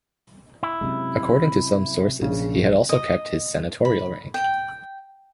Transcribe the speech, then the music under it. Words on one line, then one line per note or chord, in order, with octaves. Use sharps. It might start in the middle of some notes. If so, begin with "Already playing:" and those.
According to some sources, he had also kept his senatorial rank.
E4
F#2 C3 G#3
A#1 C#3
D#5
B5
G5